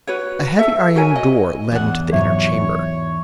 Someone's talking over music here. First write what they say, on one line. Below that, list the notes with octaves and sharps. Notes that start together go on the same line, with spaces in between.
A heavy iron door led into the inner chamber.
F#4 B4 C#5
A4 E5
F#4 A#4 C#5 G#5
D#5
E2 F#5
G#2 C3 F#3 C#5 E5